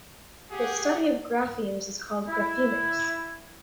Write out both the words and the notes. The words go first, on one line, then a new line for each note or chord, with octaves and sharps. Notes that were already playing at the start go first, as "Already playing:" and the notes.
The study of graphemes is called graphemics.
G4 G#4 F#5
E4